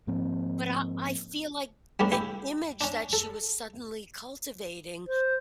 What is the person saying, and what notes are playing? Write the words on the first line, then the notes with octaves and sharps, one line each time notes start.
but I I feel like the image that she was suddenly cultivating
G#2 F3 A#3 C4
G3 A3 B3 C#4 D4
E4 G4
C#4 D4
A4
C5